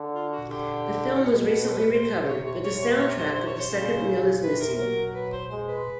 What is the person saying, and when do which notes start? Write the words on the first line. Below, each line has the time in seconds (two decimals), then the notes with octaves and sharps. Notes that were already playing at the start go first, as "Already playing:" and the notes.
The film was recently recovered, but the soundtrack of the second reel is missing.
Already playing: D3
0.13 F4
0.31 F#4
0.49 D3 G4
1.21 B2
1.57 B4
1.65 C5
1.73 B4
1.92 C3 C5
2.28 C#5
2.46 C#5
2.64 C3 C#5
2.82 C#5
2.99 C#5
3.18 C5
3.35 C5
3.47 C#5
3.60 C5
3.72 C#3
4.42 C3 B4
4.60 A#4
4.78 F#3 A#4
5.14 B4
5.32 C5
5.50 G#3 C5
5.68 B4